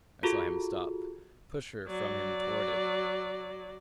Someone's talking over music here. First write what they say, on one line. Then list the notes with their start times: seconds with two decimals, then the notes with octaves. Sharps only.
I saw him stop, push her from him toward it.
0.23 F4 F#4 G#4 A4
1.87 F#3 D5